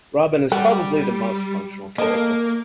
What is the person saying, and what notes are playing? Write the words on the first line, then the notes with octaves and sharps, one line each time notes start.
Robyn is the probably the most functional character.
F#3 G3 F#5 G5
A#3 A4 D#5